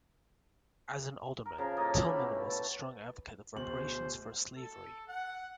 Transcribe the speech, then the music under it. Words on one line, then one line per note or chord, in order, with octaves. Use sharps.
As an Alderman, Tillman was a strong advocate of reparations for slavery.
A#4
C#3 F3 A#4
A2 A#3 D#5 A5
A3 G4 F5 B5
B2 E3
A3 A5
D1 B2 C5 F#7
A4
F#5